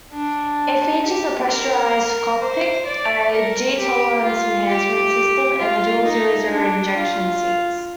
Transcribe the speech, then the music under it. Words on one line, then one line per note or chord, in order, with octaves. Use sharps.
It features a pressurized cockpit, a G-tolerance enhancement system and dual zero-zero ejection seats.
D4
G4
A#4
C5
D5
A#4
G4
F4
G4
F4
D#4
D4
F4